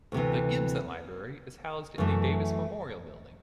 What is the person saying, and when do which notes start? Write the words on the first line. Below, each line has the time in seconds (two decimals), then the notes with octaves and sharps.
The Gibson Library is housed in the Davis Memorial Building.
0.12 D2 C3 E3
1.98 F#2 E3 A3